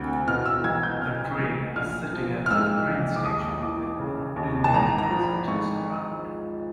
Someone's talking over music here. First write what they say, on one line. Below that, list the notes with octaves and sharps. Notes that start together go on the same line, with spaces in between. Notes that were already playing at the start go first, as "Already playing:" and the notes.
The train is sitting at the train station with not too many passengers around.
Already playing: D2 C3
B2 F6
E6
B1 G#6
G6
B2 F6
B1
A#1 F6
F3
F6
G#2 E6
A#1
D6
D#2 D#6
E3 D6
C#3
D#2
A5
G#1 A#5
A#5
F3
B5
G#2 C#6
G#1